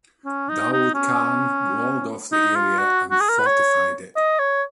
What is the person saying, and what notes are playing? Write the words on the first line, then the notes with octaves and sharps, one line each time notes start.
Daud Khan walled off the area and fortified it.
C#4
D#4
D#4
C#4
D#4
F4
F#4
F#4
G#4
A#4
B4
C#5
D#5
C#5